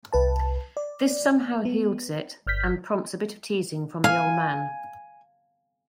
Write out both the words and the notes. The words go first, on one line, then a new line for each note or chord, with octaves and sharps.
This somehow heals it, and prompts a bit of teasing from the old man.
C2 B4 A5
D5
B3
G1 F6 G6 B6
F5 G#5